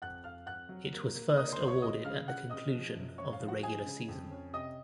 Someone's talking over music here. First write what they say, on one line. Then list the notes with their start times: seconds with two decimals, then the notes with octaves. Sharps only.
It was first awarded at the conclusion of the regular season.
0.02 F2 F#5 F#6
0.24 F2 F5 F6
0.46 F2 F#5 F#6
0.69 F#3
0.93 A#3
1.14 A#3
1.37 A#3 D#5 D#6
1.52 C5 C6
1.60 C2
1.68 C#5 C#6
1.82 G#3 D#5 D#6
2.05 C#3 F5 F6
2.27 C#3 F#5 F#6
2.50 C4 D#5 D#6
2.73 F3
2.95 F#2
3.18 C4 C#5 C#6
3.33 F5
3.40 F3
3.48 F#4 F#5
3.63 G#3 G#4 G#5
3.86 C#3
4.08 F2
4.31 C#4
4.53 C3 D#5 D#6